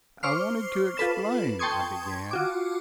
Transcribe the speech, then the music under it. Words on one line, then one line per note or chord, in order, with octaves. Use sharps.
"I wanted to explain--" I began.
C5 C#6 D6 F6 C7
F4 A4 B4 E7
G5 A5 C6 C#6 D#6 G#6
F4 F#4 D6